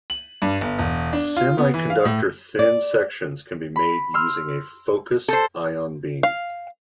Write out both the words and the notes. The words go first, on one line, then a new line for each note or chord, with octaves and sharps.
Semiconductor thin sections can be made using a focused ion beam.
F#7
G2
G1
E1
D4
F4
B3
E3
F5
A2
D5
B5
C6 E6 F6
A4 C5
F5